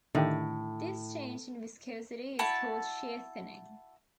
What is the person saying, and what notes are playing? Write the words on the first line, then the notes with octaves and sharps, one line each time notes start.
This change in viscosity is called shear thinning.
A2 D3 D#3 G4
E4 F#4 A5 B5